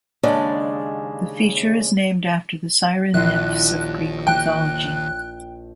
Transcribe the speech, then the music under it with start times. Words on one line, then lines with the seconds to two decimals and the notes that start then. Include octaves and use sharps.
The feature is named after the Siren nymphs of Greek mythology.
0.23 D#2 C#3 G#3 D4 D5
3.14 A#1 D#2 E4 C6 F#6
4.27 G5 F#6